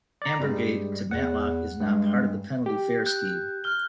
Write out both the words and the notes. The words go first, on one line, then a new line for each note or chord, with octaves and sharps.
Ambergate to Matlock is not part of the penalty fare scheme.
D5 A#5
G2 G3 G#3
E2 F#5
G2 G#3
G4
F#6 G6
F6 G7